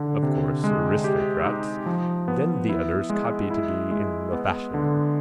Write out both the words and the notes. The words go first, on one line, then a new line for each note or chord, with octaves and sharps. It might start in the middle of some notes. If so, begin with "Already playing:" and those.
Of course aristocrats, then the others copy to be in the fashion.
Already playing: D3
C3
G#3
G4
D#4
F3
B3
E4
G#3
E4
G#3
B3
D3